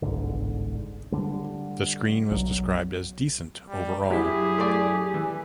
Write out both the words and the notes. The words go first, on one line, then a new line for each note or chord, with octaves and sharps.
The screen was described as "decent" overall.
G1 C2 G#2 D3
D3 G3
B1 F#3
G3
F#2 F#3 E4 G4 G#4
A3 D5
E3